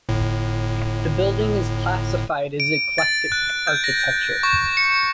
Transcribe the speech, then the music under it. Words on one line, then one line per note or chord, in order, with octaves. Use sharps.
The building is classified as eclectic architecture.
G1 A2
D7
A6
F#6
G6
A#6
C#6
C#7